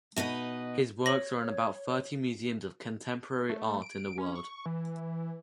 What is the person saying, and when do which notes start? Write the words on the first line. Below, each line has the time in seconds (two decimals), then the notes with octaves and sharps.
His works are in about thirty museums of contemporary art in the world.
0.16 B2 D#4 B4 D#5
1.06 C#5 A#6 F#7
3.50 A3
3.82 D7
4.18 C#4
4.35 C#6
4.66 E3